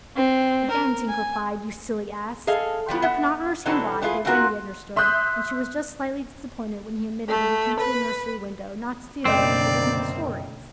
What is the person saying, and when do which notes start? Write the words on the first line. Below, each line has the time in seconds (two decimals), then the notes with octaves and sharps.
Again Tink replied, "You silly ass." Peter could not understand why, but Wendy understood, and she was just slightly disappointed when he admitted that he came to the nursery window not to see her but to listen to stories.
0.17 C4
0.71 A#4
1.08 G#5
2.47 G#4 A4 D#5 F5
2.88 F3 G3 B3
3.02 B3 E5 F#5
3.65 B2 E3 F#3 C4 D4 A4
4.02 B3 D4 E4 F4 G#4
4.25 G#2 C4 F4 F#4 A#4
4.96 E5 C6 D#6 F#6 G6
7.28 A3
7.79 B4
9.25 F#1 B2 D3 A#3 C4 D5 D#5 G5